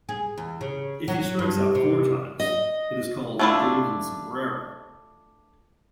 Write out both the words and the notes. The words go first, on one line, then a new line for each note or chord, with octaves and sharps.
If he strikes out four times, it is called a "golden sombrero".
G#4
E2
C#3
F#3
G2
C3
D#5
A3 B3 D4 E4 F4